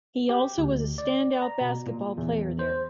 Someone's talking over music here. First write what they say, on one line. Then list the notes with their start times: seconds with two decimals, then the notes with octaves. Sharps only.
He also was a stand out basketball player there.
0.29 G4
0.58 D2
0.98 D5
1.42 A#5
1.61 B2
1.86 A#2
2.17 E2
2.59 C5